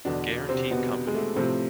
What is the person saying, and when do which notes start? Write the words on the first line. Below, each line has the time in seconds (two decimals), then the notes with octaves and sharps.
Guarantee Company.
0.05 E2 B2 D3 D4
0.49 C3 C4
0.71 B2 B3
1.07 G#3
1.15 A3
1.36 A2 C3 F3 C4